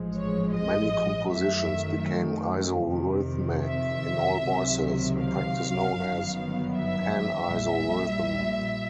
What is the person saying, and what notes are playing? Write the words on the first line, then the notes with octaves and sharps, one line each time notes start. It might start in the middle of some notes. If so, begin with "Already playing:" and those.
Many compositions became isorhythmic in all voices, a practice known as panisorhythm.
Already playing: A1 G#2 F3 G#3
C#5
D#5
F#2 D#3 F#3 A3 E5
F2 C3 D#3
E5
C#2 C3 D#3 F#3
F5
G1 F#2 D#3 F#3 B3
E5
A#1 A#2 G3